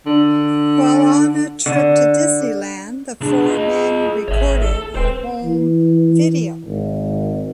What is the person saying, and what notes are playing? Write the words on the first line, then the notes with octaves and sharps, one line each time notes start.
While on a trip to Disneyland, the four men recorded a home video.
D3
D3
C#2 D4 G#4
F4 D#5
G#1 C#5 E5
A4
D#1 B4 C5 G5
E3
G#1